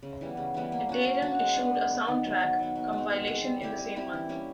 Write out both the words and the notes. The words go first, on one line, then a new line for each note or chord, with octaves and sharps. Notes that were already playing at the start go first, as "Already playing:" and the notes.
Deram issued a 'soundtrack' compilation in the same month.
C#3
E3 G3 B3
C#3
E3 G3 B3
A#3
C#4 F#4
A#3
C#4 F#4
G#3
B3 D4
G#3
B3 D4
D#3
F#3 B3
D#3
F#3 B3
B2
G#3
C4
B2
G#3 C4
G3
C4 E4 G4
G3
C4 E4 G4
E3
G3 A#3 C#4